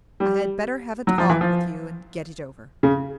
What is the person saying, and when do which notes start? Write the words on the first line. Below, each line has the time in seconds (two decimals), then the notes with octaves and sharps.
"I had better have a talk with you and get it over."
0.20 G3
1.07 F#3
1.18 F3
1.30 E3
1.41 F3
2.83 C#3